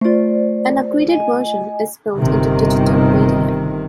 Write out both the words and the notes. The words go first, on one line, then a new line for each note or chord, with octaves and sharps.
An upgraded version is built into digital radio.
A3 F4 C5 D5
D#5 G#5
G1 C3 D#3